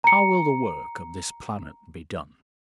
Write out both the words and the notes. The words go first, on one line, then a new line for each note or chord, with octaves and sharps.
How will the work of this planet be done?
A#5 C#7